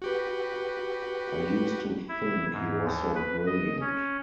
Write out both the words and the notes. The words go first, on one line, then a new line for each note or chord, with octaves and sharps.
I used to think he was so brilliant.
F#4 G4 B4
E4
G#2
D#2
B4
D#5
C#4